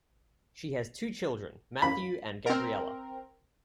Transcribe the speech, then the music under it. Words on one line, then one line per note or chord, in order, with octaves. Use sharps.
She has two children, Matthew and Gabriella.
B5
C4 A#4